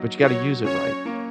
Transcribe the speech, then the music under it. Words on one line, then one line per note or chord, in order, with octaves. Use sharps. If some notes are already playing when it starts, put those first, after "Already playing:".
but you gotta use it right,
Already playing: F#3 A#3 D#4
F#3 C#5
C#4 C#5
A#3